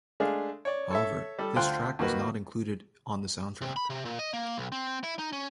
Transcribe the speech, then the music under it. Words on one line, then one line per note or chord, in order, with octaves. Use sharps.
However this track was not included on the soundtrack.
G#3 A3 D4 G#4 F5
C#5 D5
A4 C#5 E5
G3 A4
D2 F4 C5 G5 C6 F#6
D#2 A#3 F#4 B4
C3
B5
C3
A#2
D#5
A#3
B1
C4
E4
D#4
C#4